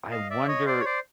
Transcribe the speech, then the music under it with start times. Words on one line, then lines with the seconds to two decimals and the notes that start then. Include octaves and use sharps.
I wonder
0.11 D#5 F5
0.30 D5 E5
0.48 C#5 D#5
0.66 C5 D5
0.80 C#5
0.85 C5 D5